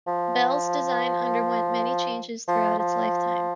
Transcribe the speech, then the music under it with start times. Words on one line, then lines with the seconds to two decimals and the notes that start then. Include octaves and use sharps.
Belle's design underwent many changes throughout its lifetime.
0.07 F3
2.48 F3
2.79 F3